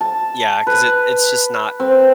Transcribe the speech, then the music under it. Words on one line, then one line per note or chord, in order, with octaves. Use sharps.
Yeah, 'cause it it's just not
A5
B4
C4